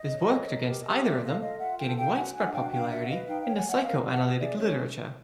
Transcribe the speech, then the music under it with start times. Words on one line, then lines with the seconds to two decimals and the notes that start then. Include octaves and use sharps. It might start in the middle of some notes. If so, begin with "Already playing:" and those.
This worked against either of them gaining widespread popularity in the psychoanalytic literature.
Already playing: D#5
0.10 C#5
0.29 C#5
0.48 A#4
0.67 G4
0.84 G4
1.03 F4 D5 E5
1.23 A4 D#5 F5
1.40 F4 D#5 F5
1.59 F4 E5 F#5
1.78 A4 F5 G5
1.97 D4 F5 G5
2.15 F#4 F#5 G#5
2.33 D4 F#5 G#5
2.52 F#4 F5 G5
2.71 D4 F5 G5
2.89 F#4 E5 F#5
3.08 B4 D#5 F5
3.26 D#4 F5 G5
3.41 C#5 F5 G5
3.54 F#5 G#5
3.65 C#5 E5 F#5
3.83 A#4 D#5 F5
4.02 G4
4.11 E5 F#5
4.20 G4
4.39 G#4 D5 E5
4.57 C#4 C#5 D#5